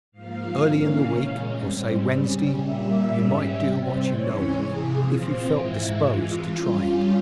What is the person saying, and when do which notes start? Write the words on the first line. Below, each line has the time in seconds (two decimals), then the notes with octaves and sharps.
Early in the week, or say Wednesday, you might do what you know of, if you felt disposed to try it.
0.12 G#2 F3 A#3 F5
0.61 C#3 E3 A#3 C#4
1.10 A#2 G#3 C#4
1.59 G#2 G3 C4
2.08 C#3 G3 C#4
2.56 A#2 G3 A#3 E5
3.06 G#2 G3 C#4
3.54 C3 G3 C4
4.04 G#2 E3 G#3 C#4 C#5
4.52 F2 C3 E3 G#4
5.01 A#2 F3 C4 F4
5.50 G#2 E3 G#3 E4
5.99 F2 E3 G#3 F4
6.48 G2 G3 C#4